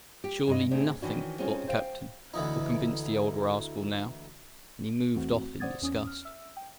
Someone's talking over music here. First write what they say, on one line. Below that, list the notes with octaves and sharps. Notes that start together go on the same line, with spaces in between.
Surely nothing, thought the captain, will convince the old rascal now; and he moved off in disgust.
G4
G2 D#5
A2 C3 G#3 A3 C4 D4
D#3 E3 C#4 D4 F#4
G3 C4 C#4 D#4 F4 G#4
C5 F5 G5
D2 E3 D#4
E2 E3 A3 C4 F#4
C5 D5 F#5 D#6 G#6 A6
E2 C#4 D#6
F6
E5 E6
G5